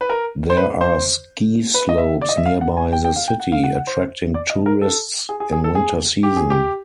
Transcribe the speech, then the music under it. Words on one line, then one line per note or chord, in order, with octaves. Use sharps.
There are ski slopes nearby the city, attracting tourists in winter season.
B4
A#4
C5
B4
C5
B4
D#5
E5
D5
D#5
E5
F5
F#5
G#5
G5
G5
F5
G5
F#5
F5
F#5
F#5
C5
D5
D#5
A#4
A4
G#4
G#4
G#4
A4
G#4
G4
G#4
G4